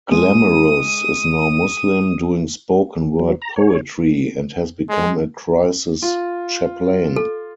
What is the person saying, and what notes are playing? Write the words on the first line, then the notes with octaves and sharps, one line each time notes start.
Glamorous is now Muslim, doing spoken word poetry, and has become a Crisis Chaplain.
G#3 D#6
F#3
A#5
C#5
G#3
F4
A4